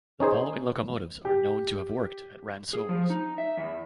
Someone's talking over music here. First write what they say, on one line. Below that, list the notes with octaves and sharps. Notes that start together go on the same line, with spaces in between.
The following locomotives are known to have worked at Ransomes.
C#4 D#4 G#4 C5
G4
G#4
F3
D#4
E5
E2